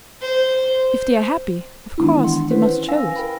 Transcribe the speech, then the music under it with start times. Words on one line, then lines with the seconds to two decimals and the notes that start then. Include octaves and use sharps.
If they are happy, of course they must show it.
0.21 C5
1.98 D#3 E3 G#3 B3 D4 E4
2.24 F#5 C6
2.50 C#4 E4 B4 C5
2.88 F5 G#5 E6 A#6
3.16 A#4 G5 B5